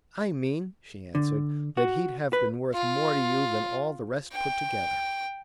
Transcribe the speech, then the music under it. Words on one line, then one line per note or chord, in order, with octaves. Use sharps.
"I mean," she answered, "that he'd have been worth more to you than all the rest put together."
D3
F#4
B4
F4
G5